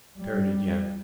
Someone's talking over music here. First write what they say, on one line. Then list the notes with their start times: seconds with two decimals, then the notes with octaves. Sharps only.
Parried again.
0.18 G3